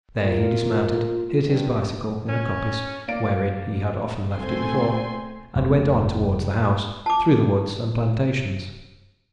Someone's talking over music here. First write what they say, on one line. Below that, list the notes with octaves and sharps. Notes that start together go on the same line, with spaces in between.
There he dismounted, hid his bicycle in a coppice wherein he had often left it before, and went on towards the house through the woods and plantations.
A#3 F4
G2
C#4
A#3 D5 D7
C2 A3 C4 C5 G#5 C6
F1 C3 G#3 A3
A5 D6